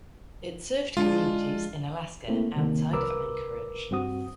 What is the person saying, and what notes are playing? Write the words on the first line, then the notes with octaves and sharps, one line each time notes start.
It served communities in Alaska outside of Anchorage.
G#3 D4 F4
A3 A#3 C4 E4
C3 D#3 A#3
C2 A#4 B4 D6 E6
G2 C4 F#4 D#6